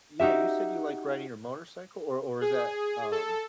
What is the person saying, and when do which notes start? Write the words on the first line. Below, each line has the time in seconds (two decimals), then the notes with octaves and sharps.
Yeah, you said you, like, riding your motorcycle, or or is that um
0.20 D#4 F#4 G4 E5
2.41 G#4
3.12 A4